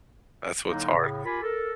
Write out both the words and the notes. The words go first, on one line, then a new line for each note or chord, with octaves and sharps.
That's what's hard.
A2 D3 F#3 G#3 A#3 D#4
A2 C#3
F4 G4 A#4 G#5 B5
A4 A#4